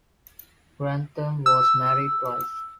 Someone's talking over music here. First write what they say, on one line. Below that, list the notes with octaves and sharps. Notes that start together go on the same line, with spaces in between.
Grantham was married twice.
E6